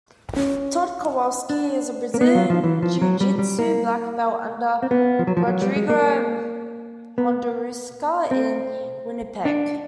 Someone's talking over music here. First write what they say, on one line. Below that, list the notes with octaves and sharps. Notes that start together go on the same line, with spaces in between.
Todd Kowalski is a Brazilian jiu-jitsu black belt under Rodrigo Mundaruca in Winnipeg.
C#4
D4
A#3
B3
F#3
F3
E3
F3
F#3
G3
G3
A#3
C4
B3
F3
F#3
F3
F#3
G3
G#3
A#3
B3
C4
D4